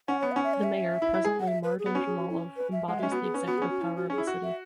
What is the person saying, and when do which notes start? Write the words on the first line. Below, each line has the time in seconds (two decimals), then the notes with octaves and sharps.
The mayor, presently Mardan Jamalov, embodies the executive power of the city.
0.08 C#4 F#5
0.21 B3 C#5
0.32 F#5
0.36 C#4
0.44 E5
0.54 C#5
0.64 E5
1.02 E4
1.14 E4
1.24 G#4
1.40 F#5
1.48 E5
1.64 B4
1.79 G#4
1.86 B3
1.94 C#4 F#4
2.06 G#4
2.18 F#4
2.30 E4
2.57 B4
2.72 E5
2.88 G#3 F#5
2.99 E5
3.03 C#4
3.11 B3 F#4
3.23 G#4
3.34 C#4 B4
3.46 B3 F#4
3.58 G#4
3.62 C#4
3.70 F#4
3.81 E4
3.97 F#4
4.10 C#4 G#4
4.18 E4
4.27 F#4
4.43 E5